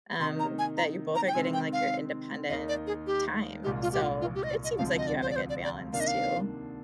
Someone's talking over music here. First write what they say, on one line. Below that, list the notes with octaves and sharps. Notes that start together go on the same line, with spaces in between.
um, that you both are getting, like, your independent time, so it seems like you have a good balance too.
C3 D#3 A#3 D#4 C6
A#5
G#5
A#5
A#5
G5
C3 D#3 G#3 C4 G#5
G5
F5
D#2 D#3 A#3 D#4 D#5
D5
G#4
G4
C2 A#2 G#3 G4
F4
G4
F4
F4
G4
D#5
D5
D#5
D2 C3 F3 G#3 F5
D#5
D5
C5
D5
C5
D5
D5
C3 D#3 A#3 D4 F5
D#5
F5